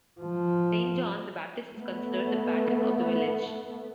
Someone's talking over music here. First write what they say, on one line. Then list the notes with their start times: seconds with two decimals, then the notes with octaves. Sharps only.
Saint John the Baptist is considered the patron of the village.
0.21 F3
1.74 A3 B3